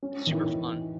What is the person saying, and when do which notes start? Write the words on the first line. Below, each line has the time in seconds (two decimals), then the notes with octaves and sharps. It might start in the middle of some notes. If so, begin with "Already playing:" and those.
it's super fun.
0.03 C#4
0.27 D#3
0.32 E3